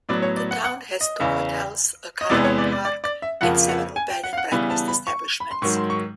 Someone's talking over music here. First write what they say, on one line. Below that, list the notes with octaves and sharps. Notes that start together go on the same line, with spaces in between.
The town has two hotels, a caravan park, and several bed and breakfast establishments.
A2 F#3 B3 D5
C#5
D5
F#5
F#5
D#5
E2 C#3 E3
D#5
E2 C3 E3 G#3 B3 D5
C#5
D5
D5
D5
D5
E5
F2 C#3 F3 A#3 F#5
F#5
G#5
G5
F#5
F5
F#5
C#3 E3 G3 B3 G#5
A5
B5
C#6
B5
C6
G#2 D#3 F#3 C#6
C6
C#6